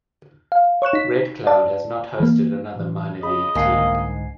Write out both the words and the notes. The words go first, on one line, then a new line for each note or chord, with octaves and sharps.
Red Cloud has not hosted another minor league team.
F5
C#5 C#6 F#6 E7
D#4 B6
D5 A5
E3 A#3
A2 E3
C#3 G#4 D#5 B5
C2 G#2 D3 A#3 G#5 C7